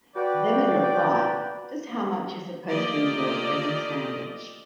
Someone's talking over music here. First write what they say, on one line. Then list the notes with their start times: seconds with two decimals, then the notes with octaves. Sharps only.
Zevon replied, Just how much you're supposed to enjoy every sandwich.
0.16 F#4 B4 D5 G5
2.68 A3 A#3 F4 G4 D5 D#5